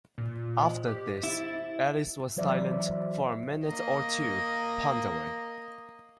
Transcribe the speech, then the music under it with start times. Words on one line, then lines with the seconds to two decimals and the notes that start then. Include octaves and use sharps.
After this, Alice was silent for a minute or two, pondering.
0.18 A#2
0.58 C5 D#5
0.88 G4
1.23 E4 A6
2.37 E3 F#3 C5 D5 E5
3.66 A#3 D#5